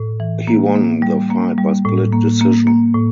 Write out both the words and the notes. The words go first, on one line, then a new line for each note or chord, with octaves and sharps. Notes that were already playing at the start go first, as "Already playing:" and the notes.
He won the fight by split decision.
Already playing: A2
E3
A#3
A#3
G3
A#3
G3
A2
A#3
A#3
A#3
A2